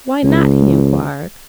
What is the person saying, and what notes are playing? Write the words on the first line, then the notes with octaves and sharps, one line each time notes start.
'Why not?' he inquired.
C#2